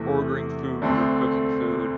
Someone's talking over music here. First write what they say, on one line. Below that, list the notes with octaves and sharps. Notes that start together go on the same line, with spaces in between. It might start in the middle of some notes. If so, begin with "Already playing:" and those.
ordering food or cooking food,
Already playing: E2 C3 E3 A3
D2 D3 A3 C4